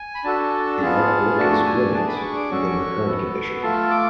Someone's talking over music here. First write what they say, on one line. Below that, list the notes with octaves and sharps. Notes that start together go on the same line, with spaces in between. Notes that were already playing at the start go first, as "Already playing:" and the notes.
The art work is brilliant even in the current condition.
Already playing: G#5
B5
D4 F#4 A4 A5
B3 F4 G#4
A3 D4 F#4 A5
G#5
D4 G#4 A5
B5
D6
C#6
D6
C#4 F#4 A4 C#6
B3 F#4 A4
A3 F4 A4 A5
D6